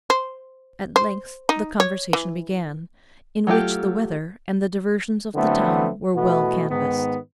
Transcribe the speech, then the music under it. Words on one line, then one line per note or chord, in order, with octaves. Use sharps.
At length the conversation began, in which the weather and the diversions of the town were well canvassed.
C5
C5
D#4
C#5
E3
F#3 A3 F4 G4
D3 F#3 A3 B3 C4 E4
B2 E3 A3 B3 F#4
G#2 D#3 B3